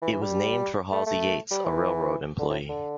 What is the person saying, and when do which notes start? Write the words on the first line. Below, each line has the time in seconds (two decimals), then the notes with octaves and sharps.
It was named for Halsey Yates, a railroad employee.
0.02 E3
0.12 E3
0.22 G3
0.92 A3
1.06 A3
1.51 G3
1.64 E3
2.39 D3
2.49 A2
2.69 D3